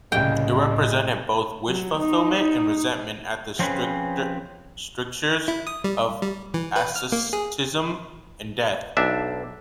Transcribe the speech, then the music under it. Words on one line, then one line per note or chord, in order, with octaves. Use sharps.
It represented both wish fulfillment and resentment at the strictures of asceticism and death.
F#1 C2 A2 C#3 G#3 G5
F#3
D#4
D#4
F3 C4 C#4 G#4 B4
E4
D#6
G3
G3
E3
B4
F6
A#3
G#4
B1 D4 E5